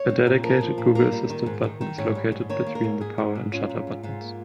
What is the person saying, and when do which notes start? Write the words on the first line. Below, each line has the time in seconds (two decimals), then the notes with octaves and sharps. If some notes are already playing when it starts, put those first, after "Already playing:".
A dedicated Google Assistant button is located between the power and shutter buttons.
Already playing: C#5
0.09 C4
0.27 A#2
0.43 F3 A#4
0.61 F3
0.78 A#2
0.95 A#3 A#4
1.12 G3
1.30 D#3
1.46 G#2
1.64 D#3
1.81 D#3
1.98 G#2 C#5
2.15 G3
2.32 G#2
2.50 D#3 C#5
2.67 A#3
2.75 A#4
2.84 G#2
3.01 G#2 G#4
3.18 G#2
3.35 G#2
3.52 C#4 F4
3.69 G#2
3.87 G#2
4.03 G#2 F4
4.21 A#3